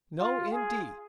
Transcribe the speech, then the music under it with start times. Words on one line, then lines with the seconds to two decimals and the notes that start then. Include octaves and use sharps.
"No, indeed."
0.19 F4
0.52 G#4